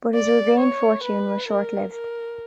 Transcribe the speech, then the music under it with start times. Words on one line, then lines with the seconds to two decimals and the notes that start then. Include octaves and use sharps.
But his regained fortune was short-lived.
0.15 D5
0.59 C#5
1.03 B4
1.48 A#4
1.93 A#4